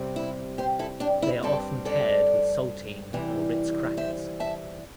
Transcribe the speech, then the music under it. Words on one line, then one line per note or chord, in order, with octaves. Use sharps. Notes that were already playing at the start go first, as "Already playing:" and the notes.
They are often paired with saltine or Ritz Crackers.
Already playing: C3 G3 C4
E4
G4 C5
E4 A4
D4 G4
E4
G2 G3 C4 A4 D5
A4 D5
C3 E3 G3
C5 E5
E5 A5